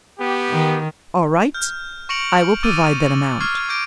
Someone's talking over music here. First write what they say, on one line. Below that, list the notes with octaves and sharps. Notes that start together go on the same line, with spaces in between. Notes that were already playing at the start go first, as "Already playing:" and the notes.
"All right, I will provide that amount."
B3 G4
D#3
F6 G6
C#6 A#6 C#7 D7 F7 F#7
D6 E6 F6 G6 A6 D#7
F#7
C#6 E6 F6 G#6 C7
D6 F6 G6 A#6 D7